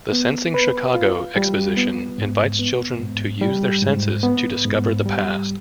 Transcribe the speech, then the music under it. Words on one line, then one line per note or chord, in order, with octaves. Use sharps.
The "Sensing Chicago" exhibition invites children to use their senses to discover the past.
B3
B4
F4
G3
B3
G#2
B3
G#2
G3
G#2
B3
G#2
G3